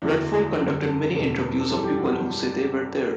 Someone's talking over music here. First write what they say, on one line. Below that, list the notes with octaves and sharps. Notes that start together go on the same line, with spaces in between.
Radford conducted many interviews of people who say they were there.
F#1 E2 D3 F#3 E4
F#1 F#2 D3 G3
A4
E1 E2 B2 F#3
B4
A4
F#2 E3 G3 A4
G4
F#4